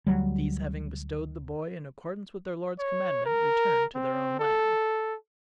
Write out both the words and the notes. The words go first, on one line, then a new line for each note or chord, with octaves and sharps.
These having bestowed the boy in accordance with their lord's commandment, returned to their own land.
D2 F#3 G3
C#5
A#4
C4
A4